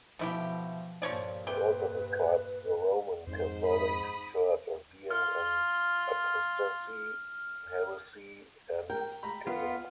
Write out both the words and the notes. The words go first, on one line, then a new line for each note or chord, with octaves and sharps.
It also describes the Roman Catholic Church as being in apostasy, heresy, and schism.
B2 F3 A3 E4 G4
G2 A#2 F3 C#5 D5
C3 B4 G5
F2 G#2 C5
B5 D#6
F4 F6
A#4 G5
A#5 B5
B3 F4